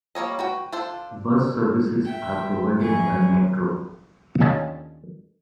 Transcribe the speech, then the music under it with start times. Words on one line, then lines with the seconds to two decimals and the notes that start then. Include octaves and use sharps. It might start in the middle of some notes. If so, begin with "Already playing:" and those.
Bus services are provided by Metro.
0.15 G3 A#3 C#5 D#5
0.39 F#4 B4 G5
0.72 D4 F4 A4 C5
2.05 E5 G5
2.77 F2 E3 G#4 C#6
4.40 D#2 D3 C#4 F4 D#5 A5